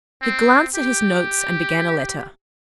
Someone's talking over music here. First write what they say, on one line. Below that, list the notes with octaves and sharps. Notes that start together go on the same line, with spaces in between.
He glanced at his notes and began a letter.
C4
G4